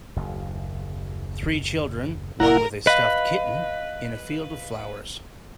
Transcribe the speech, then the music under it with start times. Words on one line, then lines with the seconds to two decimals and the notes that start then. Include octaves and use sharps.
Three children, one with a stuffed kitten, in a field of flowers.
0.16 F#1 D#2
2.40 F#1 G2 E4 A#4 F#5 A#5
2.87 B4 D#5 F5